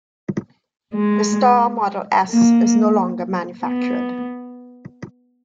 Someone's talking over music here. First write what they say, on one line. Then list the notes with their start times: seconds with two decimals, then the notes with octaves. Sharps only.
The Star Model S is no longer manufactured.
0.94 G#3
2.29 A#3
3.62 B3